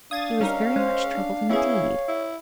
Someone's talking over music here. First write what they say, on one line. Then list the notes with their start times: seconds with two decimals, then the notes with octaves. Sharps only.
He was very much troubled, indeed.
0.11 D4 F5 D#6 G#6 A6
0.40 G3 C#4 D#4 A#4
0.76 G#3 C5
1.14 D4
1.49 B3 C#4 E4 G#4 C#5
2.08 E4